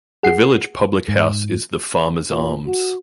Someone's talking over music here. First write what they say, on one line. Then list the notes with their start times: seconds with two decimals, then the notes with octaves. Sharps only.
The village public house is "The Farmer's Arms".
0.23 G#4 F#5 C7
1.08 G#2
2.30 A#2
2.66 F#4